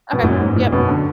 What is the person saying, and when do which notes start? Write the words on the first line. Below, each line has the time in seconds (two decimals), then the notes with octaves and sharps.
Okay. Yep.
0.13 B2
0.23 F#2 A#2
0.40 G#2
0.56 A#2
0.72 F#2 B2
0.89 D3